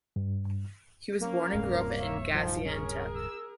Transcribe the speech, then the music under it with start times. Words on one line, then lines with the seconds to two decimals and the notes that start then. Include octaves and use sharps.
He was born and grew up in Gaziantep.
0.16 G2
1.21 A#3 C#4 F5
1.53 D1 G2 C3
1.98 C#5 E5
2.34 F3 D#4
2.66 C#4 G#4 A#4
3.15 E6